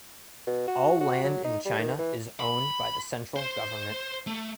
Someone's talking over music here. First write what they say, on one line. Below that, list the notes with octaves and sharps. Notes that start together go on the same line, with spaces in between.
All land in China is owned by the central government.
B2
F#4
F#4
F#3
D#4
G3
D#3
E3
B5
C5
A3